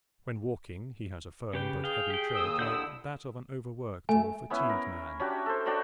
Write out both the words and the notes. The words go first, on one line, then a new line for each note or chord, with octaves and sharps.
When walking he has a firm but heavy tread, like that of an overworked or fatigued man.
C#3 G4 B4 G5
G#4 F5 G5
G4 G5
D#2 D#6 E6
D3 E4 F#5 G6
A3 G#5
B3 C#4 E4
A#4
C#4 D4 F#4 G4
A4 C5
D4 F#4 C#5 G5